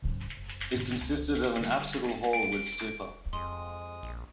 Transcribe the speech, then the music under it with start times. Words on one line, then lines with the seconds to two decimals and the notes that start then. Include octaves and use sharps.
It consisted of an apsidal hall with stupa.
0.02 C#2 G#2 C#3 F#3
0.35 F#1
0.75 G#2 B2 D3
0.99 C#2
1.61 D3 G3
2.33 D7
3.33 F2 G#3 C6 D#6
4.03 A#1